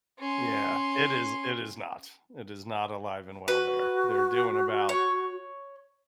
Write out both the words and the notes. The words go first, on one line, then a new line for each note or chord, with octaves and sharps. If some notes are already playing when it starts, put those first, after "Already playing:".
Yeah. It is it is not, it is not alive and well there. They're doing about,
C#4 C6
F#4 B4
C#5